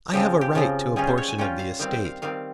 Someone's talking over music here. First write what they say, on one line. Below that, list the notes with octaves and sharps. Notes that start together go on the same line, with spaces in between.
"I have a right to a portion of the estate."
C#3 F3 C4 F4 G4
G4
C#3 F3 C4 F4
G3 C#4 F4 G#4
C5
C#5
G#5
G3 C#4 F4 G5
F5
D#3 G3 C4 F5
G5
F5
D#3 G3 C4 F5